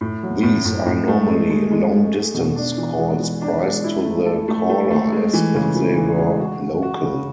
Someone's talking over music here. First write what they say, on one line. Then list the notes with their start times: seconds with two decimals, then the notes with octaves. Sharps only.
These are normally long-distance calls priced to the caller as if they were local.
0.01 A2
0.23 F#3
0.43 A2
0.65 A2
0.86 A2
1.08 A3
1.28 G#3
1.50 G#3
1.71 G#3
1.92 G#3
2.13 G#3
2.34 B2
2.56 D4
2.77 E3
2.99 G#3
3.19 E3
3.41 D4
3.62 G#3
3.84 E4
4.05 A3
4.26 A4
4.48 A3
4.69 A3
4.91 A3
5.12 G#3
5.33 E3
5.55 C#3
5.75 E3
5.97 E3
6.18 G#3
6.39 F#4
6.60 F#4
6.82 F#4
7.03 C#3